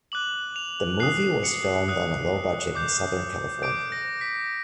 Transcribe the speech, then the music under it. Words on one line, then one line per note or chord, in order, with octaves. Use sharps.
The movie was filmed on a low budget in Southern California.
D6 F#6 F#7
F7
D#6 F#6 C7
C#7
D#6 F#6
D6 G6
D6 G6 D7
A#6
B6